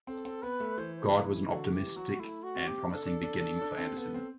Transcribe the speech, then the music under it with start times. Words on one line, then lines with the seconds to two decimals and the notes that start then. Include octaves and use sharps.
God was an optimistic and promising beginning for Andersen.
0.07 C4 A4
0.25 C4
0.42 B3 B4
0.60 A3
0.78 E3 C5
0.96 C5
1.09 C5
1.13 B4
1.32 E4
1.49 D3 F#4
1.72 E3 G4
1.95 F#3 F#4
2.19 A3 E4
2.43 F#4
2.55 C4
2.67 G4
2.90 D4 A4
3.06 D4
3.23 D4
3.40 D4
3.61 D4
3.78 C4
3.97 B3
4.14 C4